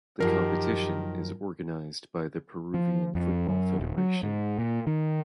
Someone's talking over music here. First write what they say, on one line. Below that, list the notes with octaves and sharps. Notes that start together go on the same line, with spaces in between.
The competition is organised by the Peruvian Football Federation.
F#2 D#3 F3 G4 A#4
F3
F2
F#2
D#1
F#3
G#2
A#2
D#3